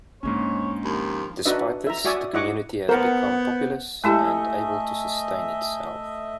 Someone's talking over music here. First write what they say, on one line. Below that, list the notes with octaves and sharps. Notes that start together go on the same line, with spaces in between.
Despite this, the community has become populous and able to sustain itself.
G#2 G#3 A#3 C#4 D4 C#5
D#2 F3
D4 D#4 F#4 B4 D#5 E5
E5 A#5
F#4 C#5 D5 E5 G#5 D#6
E4 C#5 D#5 F#5 C#6 D6
B3 A#4 C5 F#5
G#3 A3 E4 G4 D#5 E5 G#5